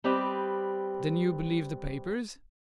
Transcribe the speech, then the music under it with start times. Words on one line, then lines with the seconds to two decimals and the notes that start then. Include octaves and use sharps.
"Then you believe the papers?"
0.04 G3 C4 G4 B4 D#5